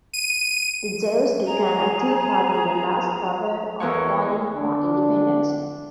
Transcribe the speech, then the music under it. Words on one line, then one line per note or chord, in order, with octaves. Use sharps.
The Jews took an active part in this last struggle of Poland for independence.
D#7
G#4 A#5
E2 A4 A#4 C#5
D3 D4